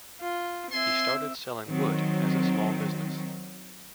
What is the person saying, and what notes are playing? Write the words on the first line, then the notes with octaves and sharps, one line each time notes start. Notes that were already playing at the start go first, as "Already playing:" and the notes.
He started selling wood as a small business.
F4
C4 E5 G#5 C6
D#3 F#3 C4